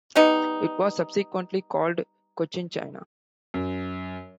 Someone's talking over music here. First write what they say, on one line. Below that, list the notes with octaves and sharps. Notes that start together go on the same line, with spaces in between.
It was subsequently called "Cochinchina".
G3 B3 D#4
F#2